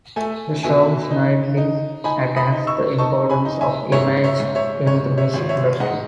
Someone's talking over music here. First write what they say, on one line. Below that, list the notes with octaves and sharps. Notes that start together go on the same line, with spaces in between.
The song snidely attacks the importance of image in the music industry.
A3 E5 G#5
B2 E5 G#5
D#4
D#4
D#4 G#5 B5
B5 D#6
D#4
C#6 E6
D#4 A5 C#6
G#5 B5
D#4
E5 G#5
G#2 C#5 E5
C#5 E5
G#2
C#5 E5
G#2 C#5
C#5 E5
G#1
C#5 E5
G#2 D#5 F#5